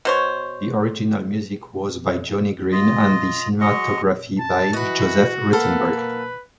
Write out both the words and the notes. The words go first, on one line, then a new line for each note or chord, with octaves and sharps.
The original music was by Johnny Green and the cinematography by Joseph Ruttenberg.
B2 C5 C#5
F4 D#5
F#3 G#3 D#5 C#6
A5
E3 F#4 B4 D#5
A#3 A4 B4 F5 F#5